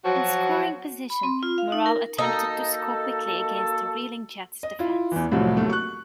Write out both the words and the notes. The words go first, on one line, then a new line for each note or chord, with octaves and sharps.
In scoring position, Morrall attempted to score quickly against a reeling Jets defense.
F3 F#3 F#4
B5
C4
F4
F5
D#4
A#4
A#3 D#4 F#4 A4
D#5
E4 F4
E2 E3
C2 A2 C3 F3 F#3
D#2 F#3 A3
C#6 F#6